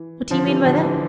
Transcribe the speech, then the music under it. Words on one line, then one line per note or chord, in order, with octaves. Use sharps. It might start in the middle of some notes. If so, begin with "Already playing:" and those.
"What do you mean by that?"
Already playing: E3
D3 F3
E3 G3
D3 F3
E3